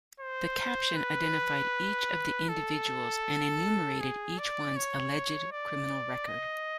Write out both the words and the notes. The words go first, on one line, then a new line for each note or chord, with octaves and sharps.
The caption identified each of the individuals and enumerated each one's alleged criminal record.
C5
B4
A4
G#4
D5
C#5
D5
D#5